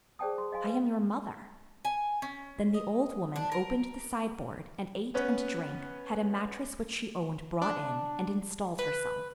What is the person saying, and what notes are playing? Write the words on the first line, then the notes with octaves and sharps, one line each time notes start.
"I am your mother." Then the old woman opened the sideboard, and ate and drank, had a mattress which she owned brought in, and installed herself.
G#4 C5 D5 G5 A5 D#6
C6
D#5 F5 G#5 C6
B4 F5
G#5
C#4
D#5
D4
A#4
B3 C#4 B4
D4
B4